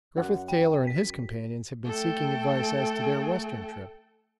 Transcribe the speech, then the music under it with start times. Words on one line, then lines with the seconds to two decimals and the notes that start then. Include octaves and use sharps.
Griffith Taylor and his companions have been seeking advice as to their Western trip.
0.17 F#2 F#5
0.48 G5
0.87 B6
1.84 A3 A4 G5